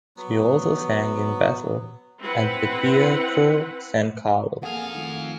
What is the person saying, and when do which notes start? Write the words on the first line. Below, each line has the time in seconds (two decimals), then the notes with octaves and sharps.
She also sang in Basle at the Teatro San Carlo.
0.17 F#3 B3
2.20 C4 E4 B4 F#5
4.63 F2 A#3 G#4 A4 F5 F#5 D#6
4.95 D#3 A3 F4